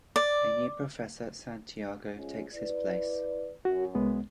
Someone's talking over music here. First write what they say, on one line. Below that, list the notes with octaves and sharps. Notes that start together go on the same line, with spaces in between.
A new professor Santiago takes his place.
D5
F3 G#3 C#4
E4 B4 D5
F#2 F#4
C2 G#3 B3